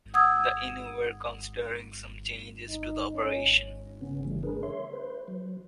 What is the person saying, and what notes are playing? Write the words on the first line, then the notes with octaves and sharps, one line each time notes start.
The Innu were considering some changes to the operation.
F#5 D#6 E6 G#6
D#4
C#4
C#3 B3 C#4
C#3 E3 G3 A3
D4 G#4 A#4 B4
C#5 E5 C6
B4 C5
F#3